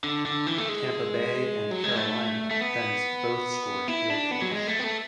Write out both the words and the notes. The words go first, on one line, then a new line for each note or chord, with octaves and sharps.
Tampa Bay and Carolina then both scored field goals.
D3
D3
E3
A3
G#3
F#3
G#3
A3
A3
B3
E4
D4
B3
F#3
G#3
A3
B3
A3